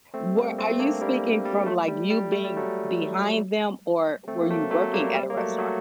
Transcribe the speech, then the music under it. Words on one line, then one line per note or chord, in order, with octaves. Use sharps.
where are you speaking from, like, you being behind them, or were you working at a restaurant?
A3 C4
G3 A#3
A3 C4
A#3 D4
G3 A#3
G3
F#3 A3
G3
G3
A3
G3
F#3 A3
A3 C4
A#3
F#3 A3
F#3 A3
G3 A#3
G3
A#3
F#3 A3
F#3 A3